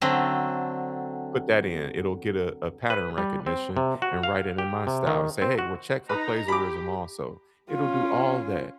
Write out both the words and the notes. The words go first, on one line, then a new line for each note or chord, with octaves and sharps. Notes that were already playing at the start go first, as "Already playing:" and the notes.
put that in, it'll get a a pattern recognition and write it in my style and say, "Hey, we'll check for plagiarism also." It'll do all that,
D3 F#3 A3 C4
B4
G3
C4
C3
F#4
F5
G4
C3
D#3
C4
F#4
D#4 B4 A#5
G4 B5 D6
C#4 F4